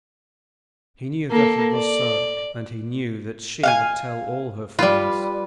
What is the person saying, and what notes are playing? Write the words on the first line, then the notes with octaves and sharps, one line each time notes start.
He knew that it was so, and he knew that she would tell all her friends.
A#3 A4
D5
F5 F#5 G#5
G3 F4 B4